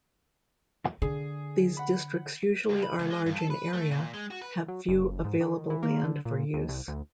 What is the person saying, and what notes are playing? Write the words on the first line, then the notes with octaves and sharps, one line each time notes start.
These districts usually are large in area, have few available land for use.
D3 G#4
F#5 B5
C#2
B5
C#2
G#3
G2
A4
B4
A3
A#2
G#3
F#4
B4
F#3
F#1
G#2
D#3
E3
A#3
D3
A#2
D#2
C2
D2